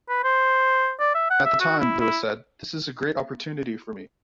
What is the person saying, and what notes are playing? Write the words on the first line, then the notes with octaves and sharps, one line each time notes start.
At the time, Lewis said: This is a great opportunity for me.
B4
C5
D5
E5
F#5
E5
F#4
E4
E4